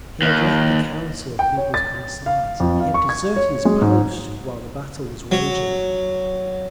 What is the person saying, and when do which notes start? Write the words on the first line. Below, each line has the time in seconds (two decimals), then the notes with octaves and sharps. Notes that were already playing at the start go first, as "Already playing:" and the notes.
He had left the Council of People's Commissars; he had deserted his post while the battle was raging.
0.22 D#2
1.39 G5
1.57 C#5
1.74 A6
2.26 F5
2.60 F2
2.80 F5
2.94 C#6
3.09 G#6
3.36 C#5
3.65 G#3
3.81 G#2
5.32 F#3